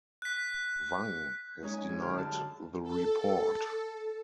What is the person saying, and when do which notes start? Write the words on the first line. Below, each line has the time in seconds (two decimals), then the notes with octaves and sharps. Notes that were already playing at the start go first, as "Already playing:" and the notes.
Wang has denied the report.
0.22 F#6 B6
1.62 G#3 C#4 D#4 C#5
1.74 G#5
1.89 G#2
2.01 D3 G4 F6
2.18 F#2 A5
2.83 A4